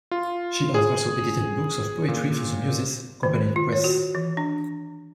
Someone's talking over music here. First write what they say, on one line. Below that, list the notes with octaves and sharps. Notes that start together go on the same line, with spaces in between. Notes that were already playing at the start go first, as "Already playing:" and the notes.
She has also edited books of poetry for the Muses' Company Press.
F4
G#4
A#2
D#3
F4
C#5
F#4
E3
D4